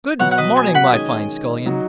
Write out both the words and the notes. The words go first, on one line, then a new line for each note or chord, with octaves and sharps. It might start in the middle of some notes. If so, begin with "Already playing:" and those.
'Good-morning, my fine Scullion!'
B2 F#3 B3 F#4 C#5 F#5
F#5
B4 D#5
D#5 G#5
F#5 B5
D#3 G#3 C#4 D#5 G#5
F#3 D#4 F#4